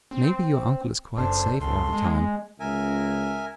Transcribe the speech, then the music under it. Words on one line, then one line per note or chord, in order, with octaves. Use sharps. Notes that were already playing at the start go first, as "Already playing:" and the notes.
Maybe your uncle is quite safe all the time.
C4
F#1 D4 A4 C5
C#2 A4 C6
G#3
C#2 A#4 E5 G#5